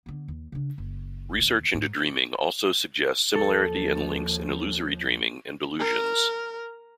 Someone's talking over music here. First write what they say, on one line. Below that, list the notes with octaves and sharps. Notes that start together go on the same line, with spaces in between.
Research into dreaming also suggests similarity and links in illusory dreaming and delusions.
D3 B3
D#2
C#3 D4
F#1
D#2 B2
G#2
D#2 F3 A4
A#4